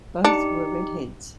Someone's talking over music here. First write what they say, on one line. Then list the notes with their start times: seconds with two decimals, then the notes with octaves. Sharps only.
Both were red heads.
0.25 D4 D#4 G4